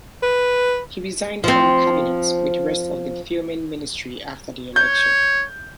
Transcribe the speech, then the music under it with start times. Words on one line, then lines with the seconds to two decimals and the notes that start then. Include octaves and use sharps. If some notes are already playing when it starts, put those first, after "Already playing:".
He resigned from cabinet with the rest of the Filmon ministry after the election.
0.23 B4
1.44 F3 C4
4.76 C#5 G6